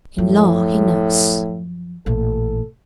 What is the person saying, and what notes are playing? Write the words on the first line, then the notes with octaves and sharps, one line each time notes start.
In law he knows.
F#2 A2 F3
A1 A#2 A4